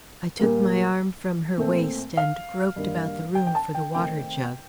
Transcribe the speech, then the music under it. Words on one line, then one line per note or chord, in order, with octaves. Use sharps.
I took my arm from her waist and groped about the room for the water-jug.
A#2 G3 A#3
A#2 A3 C4
F5
G2 D#3 A#3
G5
G5
A5
G5
C3 D#3 A3 C4 G5